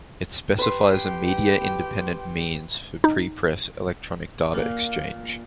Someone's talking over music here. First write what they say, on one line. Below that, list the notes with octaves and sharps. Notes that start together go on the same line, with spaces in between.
It specifies a media-independent means for prepress electronic data exchange.
G4 B4 G5 B5 C6
D#4
A#2 A#3